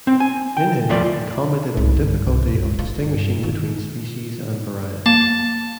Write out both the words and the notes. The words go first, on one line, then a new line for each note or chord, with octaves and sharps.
In it, he commented on the difficulty of distinguishing "between species and variety".
C4
G#5
G5
D#2 F3 A3 F4 D5
C2
G2
C2
F#2
G#3
F4
G2
D#3
A#3 A5